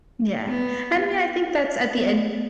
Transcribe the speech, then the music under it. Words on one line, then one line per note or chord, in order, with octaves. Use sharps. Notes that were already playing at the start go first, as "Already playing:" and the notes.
Yeah. And I mean, I think that's at the end
B3
B3